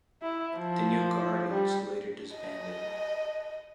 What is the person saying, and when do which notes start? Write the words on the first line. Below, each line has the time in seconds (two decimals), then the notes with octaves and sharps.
The New Guardians later disbanded.
0.22 E4
0.58 F3
1.51 G3
2.36 D#5